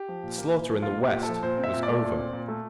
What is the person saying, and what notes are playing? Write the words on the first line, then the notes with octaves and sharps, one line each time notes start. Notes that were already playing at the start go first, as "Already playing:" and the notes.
The slaughter in the West was over.
Already playing: G4
F3
A#2
A#3
A#2
F3
A#2 F4
A#3
G4
A#2
A4
F3
A#2 C5
C4
E5
A#2
D5
A3
A#2
C4
A#2
A3